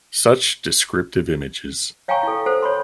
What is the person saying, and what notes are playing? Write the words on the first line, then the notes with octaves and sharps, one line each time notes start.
Such descriptive images.
C#5 F5 G5 G#5 A#5 C#6
E4 A4
A4 A#4 C5 F#5
C#5 B5 C6